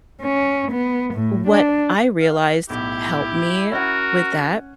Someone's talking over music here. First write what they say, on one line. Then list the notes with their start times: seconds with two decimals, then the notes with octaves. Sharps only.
What I realized helped me with that
0.22 C#4
0.71 B3
1.14 A2
1.47 D4
2.21 F5
2.70 B1 A2 E4 G4
3.72 C#4 F#4 A#4 F#5